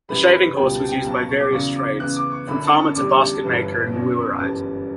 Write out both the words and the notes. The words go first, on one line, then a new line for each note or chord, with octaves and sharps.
The shaving horse was used by various trades, from farmer to basketmaker and wheelwright.
F#1 F#2 E3 G3 B5
B5
C#2 B2 G3 G5
A5
G5
B1 B2 F#3 A5
C#6
C#6
D6
E2 C#3 F#3 C#6
D6
E2 C#3 E3 F#6
D6
C#6
F#1 F#2 D3 B5
A5
C#6
E2 D3 G3 D6
C#6
A5
G1 G2 E3 A5
F#1 E2 B2 F#3
G1 F#2 E3 G3 A5